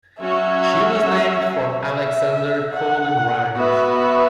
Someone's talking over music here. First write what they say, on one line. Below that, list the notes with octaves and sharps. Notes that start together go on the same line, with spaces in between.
She was named for Alexander Colden Rhind.
F#3 C#4 F#4 C#5 E5
E5
F#5
B3 F#4 B4 E5
E5